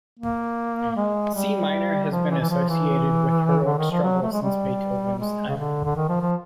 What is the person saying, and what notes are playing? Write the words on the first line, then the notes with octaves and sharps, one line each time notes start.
C minor has been associated with heroic struggle since Beethoven's time.
A#3
G#3
G3
F3
E3
E3
F3
E3
D3
D#3
F3
F#3
A3
G#3
G3
G#3
C#3
D3
D3
D#3
F3
F3